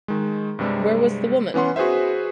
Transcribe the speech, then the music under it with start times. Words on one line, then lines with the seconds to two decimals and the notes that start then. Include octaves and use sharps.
Where was the woman?
0.08 D#3 G#3
0.59 G2 C3 G3 G#3
1.54 E3 B3 C#4 F#5 C6
1.76 F#4 G#4 B4 C5 E5